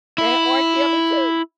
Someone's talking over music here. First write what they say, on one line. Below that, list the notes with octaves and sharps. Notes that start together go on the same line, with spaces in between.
And R. Kelly too.
E4